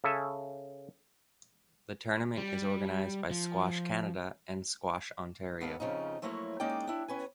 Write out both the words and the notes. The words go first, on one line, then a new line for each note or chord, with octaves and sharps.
The tournament is organized by Squash Canada and Squash Ontario.
C#3 A4 E5 G#5
G3
F3
G#2 B3 A4 F5
F2 C#3 F3 C#4 D#4
F3 F#3 A3 A#3 E4 C#5
G#3 A#3 C#4 D#4 D5 G5
D4 E4
C#4 B4 G#5